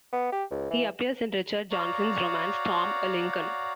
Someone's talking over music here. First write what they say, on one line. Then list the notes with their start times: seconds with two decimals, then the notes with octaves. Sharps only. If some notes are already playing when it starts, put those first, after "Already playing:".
He appears in Richard Johnson's romance "Tom a' Lincoln".
0.13 B3
0.32 G4
0.51 C#2
0.71 E3
1.71 F#4 C#5 D5 F5 F#5 A#5